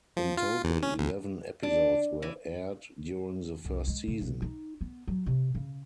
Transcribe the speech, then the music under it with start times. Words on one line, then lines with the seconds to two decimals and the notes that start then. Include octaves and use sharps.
In total, eleven episodes were aired during the first season.
0.17 F3
0.37 F4
0.64 E2
0.83 C#4
0.99 D2
1.63 D4
2.22 E3
3.65 C2
3.87 G#3
4.08 C#3
4.21 B1
4.42 D#4
4.81 B3
5.07 F#3
5.26 C3
5.55 C#3